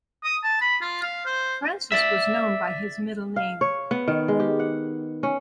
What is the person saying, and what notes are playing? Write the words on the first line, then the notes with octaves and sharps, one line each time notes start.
Francis was known by his middle name.
D#6
A5
B5
F4
F5
C5
D5 E5
F5
C#5
B3
D#3
G#3
G4
F#5
C#4